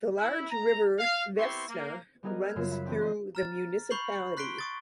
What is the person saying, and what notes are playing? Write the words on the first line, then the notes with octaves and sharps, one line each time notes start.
The large river Vefsna runs through the municipality.
E4
A#5
F5
B3 C4 E4 G4 C6 C#6
A#3
G3 B3 D#4 G#4 A#4 D#5
E6 F6 G#6
F#2 C#3 F4 C7 E7
E5 B5
E3 C4 D4
D#5 C6
A#5 F6 A6
B5 C#6 G6 C7 F#7
C6 F#6 B6 C7 D7 G7
C#6 D#6 A6